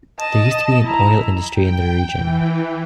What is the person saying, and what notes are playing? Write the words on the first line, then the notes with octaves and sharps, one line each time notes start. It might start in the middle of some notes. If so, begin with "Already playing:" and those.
There used to be an oil industry in the region.
D#5 A5
E4 A#5
G5
E3